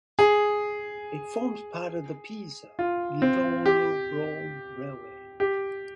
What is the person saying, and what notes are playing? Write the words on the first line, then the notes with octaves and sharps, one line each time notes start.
It forms part of the Pisa–Livorno–Rome railway.
G#4
F4
C4
G4
G4